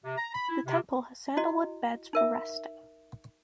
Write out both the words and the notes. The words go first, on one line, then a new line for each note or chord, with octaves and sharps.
The temple has sandalwood beds for resting.
C3
A#5
B5
E4
C3
E4 F#4 D#5
D#4 A#4 E5